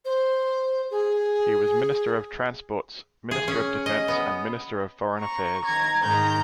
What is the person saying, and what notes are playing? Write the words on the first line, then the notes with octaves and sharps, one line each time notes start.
He was Minister of Transports, Minister of Defense and Minister of Foreign Affairs.
C5
G#4
G#4
C#4
D#5
B3
A#5 C#6
D#3 A#5 G#6 A#6
G#2 D#3 A#5 G6